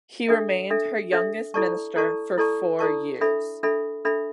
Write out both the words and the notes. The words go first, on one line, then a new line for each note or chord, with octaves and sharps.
He remained her youngest minister for four years.
D4 A4 E5
D4 A4 E5
D4 A4 E5
E4 A4 D5 A5 C#6
E4 A4 D5 A5 C#6
E4 A4 D5 A5 C#6
E4 A4 D5 A5 C#6
D4 A4 E5 B5
D4 A4 E5 B5
D4 A4 E5 B5